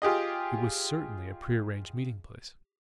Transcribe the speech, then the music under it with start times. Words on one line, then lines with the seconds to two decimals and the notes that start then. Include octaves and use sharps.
It was certainly a prearranged meeting place.
0.02 F4 G4 G#4 D#5